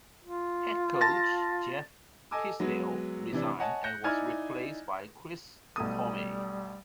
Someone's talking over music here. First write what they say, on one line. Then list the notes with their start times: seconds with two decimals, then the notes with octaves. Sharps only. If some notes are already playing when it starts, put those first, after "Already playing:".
Head coach Jeff Tisdel resigned and was replaced by Chris Tormey.
0.24 F4
1.01 A5 A6 A#6
2.31 A4 D#5 G#5 D6 E6
2.60 F#3 G#3 B3
3.32 C3 E3 D4
3.59 C#5 D#5 F#5 G#5 A5
3.84 F#6 G6 A#6 C#7
4.04 D#4 E4 D5 G#5 F6 G#6
5.76 B1 G3 A3 D#6